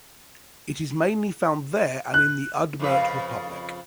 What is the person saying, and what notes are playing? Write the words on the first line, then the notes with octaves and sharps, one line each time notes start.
It is mainly found there and in the Udmurt Republic.
F#6
F2 C#3 B4